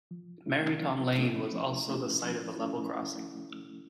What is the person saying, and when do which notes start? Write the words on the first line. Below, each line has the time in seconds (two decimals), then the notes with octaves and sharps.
Merry Tom Lane was also the site of a level crossing.
0.11 F3
0.46 A3 C#4 E4
0.81 F3
1.17 A3 C#4 E4
1.52 F3
1.88 A3 C#4 E4
2.23 F3
2.58 A3 C#4 E4